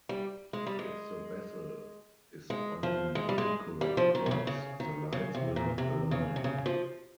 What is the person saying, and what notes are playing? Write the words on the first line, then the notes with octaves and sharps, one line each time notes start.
If the vessel is on an incorrect course, the lights will not align.
G3
G#3
G3
G#3
G#3
F3
G#3
G3
G#3
G3
F3
D#3
C3
C#3
C#3
D#3
C#3
C3
A#2
C3
C#3
C3
C#3
F3